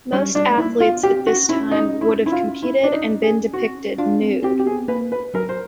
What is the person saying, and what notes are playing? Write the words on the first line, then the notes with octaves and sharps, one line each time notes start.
Most athletes at this time would have competed, and been depicted nude.
G3 C#4
G3 D4
A3
A#3 E4
B3 F4
C4 G4
C#4 F#4
C#4 E4
D#4
E4
E4
F4
E4
D4
D#4
G#4
C4 F#4
C#4
D4 F4
C4
C4 G4
G4
B3 G#4
A#3 B4
B4
F#3 A#4
C5